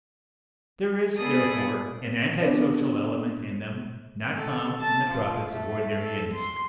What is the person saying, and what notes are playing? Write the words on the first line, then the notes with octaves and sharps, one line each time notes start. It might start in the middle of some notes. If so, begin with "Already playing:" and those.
There is, therefore, an antisocial element in them not found in the profits of ordinary industry.
B3 G#4 A4 D5 D#6
B3 C#4 D4 D5
A4
A5
F3
A3
A4
C6